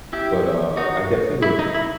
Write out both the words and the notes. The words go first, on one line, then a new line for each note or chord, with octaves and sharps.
but, uh, I definitely would
E4 G4
D#4 F#4
E4
D#4
E4